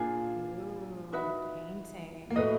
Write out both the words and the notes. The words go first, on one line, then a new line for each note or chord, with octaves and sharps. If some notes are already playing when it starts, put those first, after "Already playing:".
Ooh, painting.
Already playing: A#2 A#3 D4 F4 G#4
D#4 F#4 B4 E5
A#3
A2 A3 F#4 B4 D#5